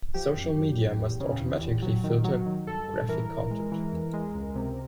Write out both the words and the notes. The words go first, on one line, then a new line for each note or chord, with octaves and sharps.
Social media must automatically filter graphic content.
F3 G4
F#2
F#2
F#2
E2
C#3
E2
E2
F#3
D#3
F#3
D#3
G2 A4
G2
E3 A#4
E3
G#3
E3
E2
G#3
C#2
C3